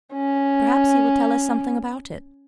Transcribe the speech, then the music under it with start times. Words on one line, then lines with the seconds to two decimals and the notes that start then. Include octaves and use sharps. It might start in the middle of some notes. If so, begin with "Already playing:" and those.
"Perhaps he will tell us something about it."
0.13 C#4